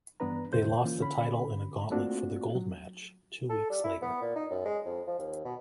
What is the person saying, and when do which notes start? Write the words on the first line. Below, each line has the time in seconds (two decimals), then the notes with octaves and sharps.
They lost the title in a Gauntlet for the Gold match two weeks later.
0.20 G2 E3 B3 D4 B4 A#5
0.53 E2 B2 D3 C5 G6
0.84 E3 A#3 C#4 F4
0.98 D3 C#4 B5
1.90 A3 A#3 C4 D4 F4 F#4
2.55 F#3
3.50 A4
3.70 G3
3.84 E4
4.02 B3
4.22 A#2
4.36 D#4
4.50 F#2
4.66 G#3
4.85 F2
5.07 F3
5.19 D#2
5.45 B2